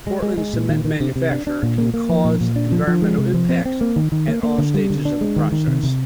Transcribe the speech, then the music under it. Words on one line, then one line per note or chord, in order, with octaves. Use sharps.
Portland cement manufacture can cause environmental impacts at all stages of the process.
G#3
G#3
G#3
A#2
D#3
D#3
C3
C3
D4
D4
A#2
A#3
A#3
F3
A#2
A#2
D4
F3
F3
G#3
C3
F3
C4
C4
A#3
D#3
D#3
A#3
A#3
D3
G3
D3
D4
G#3
D#3
D#3
C3
C3